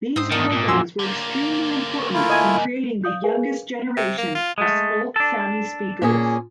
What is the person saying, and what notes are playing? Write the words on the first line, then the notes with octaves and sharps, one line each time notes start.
These programs were extremely important in creating the youngest generation of Skolt Sami speakers.
G#2 C4 C5 D#6
E2 D#3 D4 D#4 A4
A#2
F2 F#3 F#4 G#5 C6 E6
D3 A#3
A3 E4 F4
D#5 G#5
D5 F5 D#6 G6
G#4 A#4 B4 F5 G#5
C3
A#3
F4
G#3 A3
D4 A4
A#2 C#4 G#4